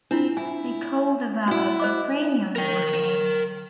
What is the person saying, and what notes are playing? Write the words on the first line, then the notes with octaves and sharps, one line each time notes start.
They co-developed the "Cranium" board game.
C4 D4 E4 F4
E4 G#5
E4 F#4
C5 D#5 D6
A#4 G5